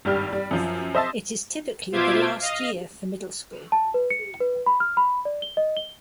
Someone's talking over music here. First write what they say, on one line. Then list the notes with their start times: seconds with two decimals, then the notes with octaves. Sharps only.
It is typically the last year for Middle school.
0.05 G#1 G2 G3 G4 F6
0.33 G3
0.51 F#2 F3
0.95 C5 D#5 E5 A5 C6 A6
1.92 B2 F4 C5 E5 D6 G#6
2.40 D#5 F5
3.72 A5
3.94 B4
4.10 C#7
4.40 B4
4.66 B5
4.80 F6
4.97 B5
5.25 D5
5.42 G7
5.57 D#5
5.77 G7